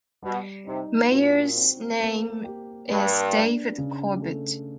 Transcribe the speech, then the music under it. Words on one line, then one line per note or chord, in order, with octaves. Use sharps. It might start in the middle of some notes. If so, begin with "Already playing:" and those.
Mayors name is David Corbitt.
B2 G3
C3 D#4
A#2 F#4
C4
A#3
G4
G2 B4
D4
C#3
A3